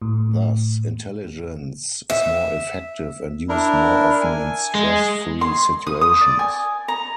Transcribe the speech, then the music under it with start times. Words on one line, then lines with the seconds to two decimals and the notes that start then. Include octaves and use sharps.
Thus, intelligence is more effective and used more often in stress-free situations.
0.02 A2
2.10 E5
3.49 D4 E4 A#4
4.21 G#5
4.75 G#3
5.41 C6
5.87 D#6
6.01 D#6
6.21 D5
6.39 G#5
6.88 A#5